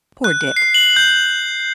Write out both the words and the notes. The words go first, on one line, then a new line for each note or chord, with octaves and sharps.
Poor Dick!
F#6
C7
F#7
G6